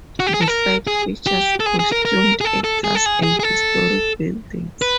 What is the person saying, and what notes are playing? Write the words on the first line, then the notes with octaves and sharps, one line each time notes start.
The site features costumed actors and historic buildings.
F#4
G4
G#4
A4
A#4
G#4
G4
A4
G#4
G#4
A#4
A#4
G#4
A4
A4
G#4
A4
G#4
G#4
G#4
A4
B4